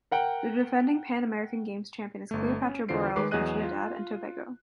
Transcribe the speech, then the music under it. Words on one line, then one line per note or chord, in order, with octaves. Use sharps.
The defending Pan American Games champion is Cleopatra Borel from Trinidad and Tobago.
A#4 F#5 G5
G1 A3
C#4
E2 D3 F4 C5 C7 D7
D#3 G#3 B4 D6 C7
E2 F#3 G#4 D#5 F#6 D#7
F4